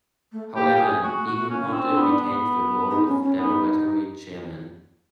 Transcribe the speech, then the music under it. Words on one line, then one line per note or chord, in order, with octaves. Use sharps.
However, Negroponte retained the role of laboratory Chairman.
A3
A#3 G4
G4
G#4
A3 F#4
A3
F#4
A3
A#3 C#4
D4
C4
D4
B3
B3
D#4
C#4
C#4
B3 D#4